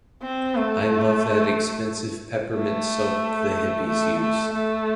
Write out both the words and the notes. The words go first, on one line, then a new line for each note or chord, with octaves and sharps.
I love that expensive peppermint soap the hippies use.
C4
A3
A3
A3
A3
A3